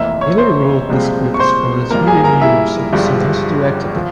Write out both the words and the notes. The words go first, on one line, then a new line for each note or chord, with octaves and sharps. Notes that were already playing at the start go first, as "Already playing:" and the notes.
Naylor wrote the scripts for the three new episodes and also directed them.
Already playing: F1 F2 E3 A#3 E5 E6
C#5 C#6
C5 C6
C2 A#2 F3 G#3 C4
C#6
C5 C6
G2 F3 A#3 A#4 A#5
G#4 G#5
A#4 A#5
E4 E5
G1 G2 F3 G#3
F3